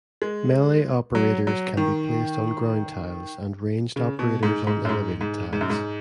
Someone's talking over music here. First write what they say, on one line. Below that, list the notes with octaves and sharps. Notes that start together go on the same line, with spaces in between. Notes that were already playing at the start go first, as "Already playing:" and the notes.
Melee operators can be placed on ground tiles and ranged operators on elevated tiles.
G#3
F#3
F#3
D#3
C#3
B2
G#2
G#2
F#2
G#2
G#2
G#2
F#2
G#2